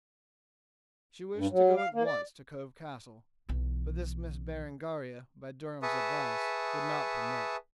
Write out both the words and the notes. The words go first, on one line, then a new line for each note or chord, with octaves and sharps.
She wished to go at once to Cove Castle, but this Miss Berengaria, by Durham's advice, would not permit.
G2
F#3
F5
A#3
D5
B1 E3
G#4 B4 E5 A5 C#6 D#6